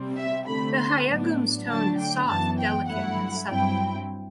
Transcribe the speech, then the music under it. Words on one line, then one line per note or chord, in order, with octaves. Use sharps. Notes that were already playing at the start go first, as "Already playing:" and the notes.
The Gayageum's tone is soft, delicate, and subtle.
Already playing: C3 G3 C4
E5
D3 A3 C4 B5
C6
A2 F#3 B3 D4
D3 F#3 A3 D4 A5
G5
F#2 E3 B3 A5
G5
G2 F#3 A3 E4 F#5
G2 F#3 C4 E4 G5